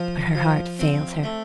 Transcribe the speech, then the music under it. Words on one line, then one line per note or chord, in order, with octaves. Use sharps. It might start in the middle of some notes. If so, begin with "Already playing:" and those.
But her heart failed her.
Already playing: F3
F3
C4
A3